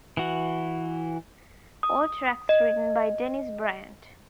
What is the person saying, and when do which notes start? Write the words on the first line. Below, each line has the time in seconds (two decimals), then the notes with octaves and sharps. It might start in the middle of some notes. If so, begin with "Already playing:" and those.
All tracks written by Dennis Bryant.
0.17 E3 F#4
1.83 D#6
2.49 D#5